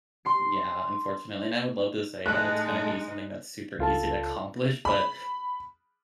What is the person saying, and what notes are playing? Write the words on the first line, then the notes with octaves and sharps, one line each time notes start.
Yeah, unfortunately, and I would love to say that it's gonna be something that's super easy to accomplish, but
C6 C7
A2 G#3 A3 D#4 A5 F#6
C#2 F4 A4 A5
B5